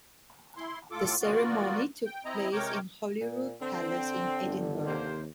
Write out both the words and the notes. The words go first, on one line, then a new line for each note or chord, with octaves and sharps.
The ceremony took place in Holyrood Palace in Edinburgh.
E4 C6
A2 F4 A4 D6
A#3 B3 F4 F#4 D5
G5
C4 E4 D#5 A#5
C3 G#3 A#4 C#5 G5 D6
A#2
D3 C4
G1
D#2 C3 A#3 C5